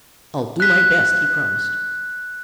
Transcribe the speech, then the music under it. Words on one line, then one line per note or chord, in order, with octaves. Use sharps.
"I'll do my best," he promised.
F#6 B6